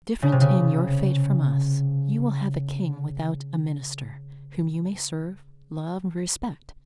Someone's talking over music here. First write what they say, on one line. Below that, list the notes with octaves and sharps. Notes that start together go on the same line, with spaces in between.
Different in your fate from us, you will have a king without a minister, whom you may serve, love, respect.
C#3
C3
C#3